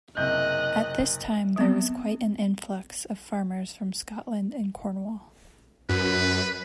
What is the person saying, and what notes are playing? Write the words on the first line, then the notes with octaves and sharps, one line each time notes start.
At this time there was quite an influx of farmers from Scotland and Cornwall.
F#1 C3 D#5 F#6 G6
F#3 B3 C4
F#2 B4